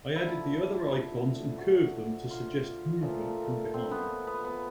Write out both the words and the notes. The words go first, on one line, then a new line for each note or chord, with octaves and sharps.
I added the other icons and curved them to suggest movement from behind.
D3 F3 A3 E4
F#4
F4
A#2 F3 A3
C4
B3
B3
B3